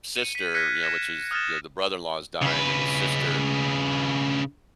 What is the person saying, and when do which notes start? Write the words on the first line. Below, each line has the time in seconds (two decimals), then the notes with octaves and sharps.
sister you know, which is the the brother-in-law is dying, and the sister
0.16 C#7 D#7
0.35 B6 D#7
0.54 F6 F#6 G#6 A#6 B6 C#7
0.83 G#6 A#6 C#7 E7
1.31 D#6 F6 F#6 G#6 A6 E7
2.42 C#3 B4